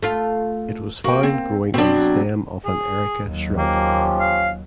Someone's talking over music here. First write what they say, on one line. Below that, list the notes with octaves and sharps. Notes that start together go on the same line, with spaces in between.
It was found growing on the stem of an "Erica" shrub.
A3 F4
A#3 F#4 G5
C4
B2 F#3 C4 D4
G#4
D#2 F#3
F3 A#3 C#4 G4
F5